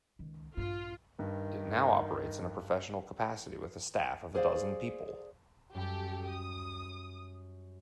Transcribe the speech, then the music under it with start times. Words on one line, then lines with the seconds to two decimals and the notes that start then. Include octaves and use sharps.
It now operates in a professional capacity with a staff of a dozen people.
0.19 C#2 D#3
0.57 A#1 G2 F4
1.19 G2 D#3
4.35 G#4 C5 D5 F5
5.75 F#2 G3 G4 A4 B5
6.28 D#6